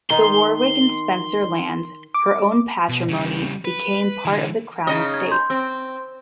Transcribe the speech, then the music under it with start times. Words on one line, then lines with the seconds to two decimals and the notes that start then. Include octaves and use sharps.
The 'Warwick and Spencer lands', her own patrimony became part of the crown estate.
0.10 D#3 D#4 C6
2.14 D6
2.89 B2
3.09 C#3 G3
3.65 B4
4.25 D3 E3
4.87 C#3 D#4 D#5
5.14 G#6
5.31 C6 G6
5.50 C4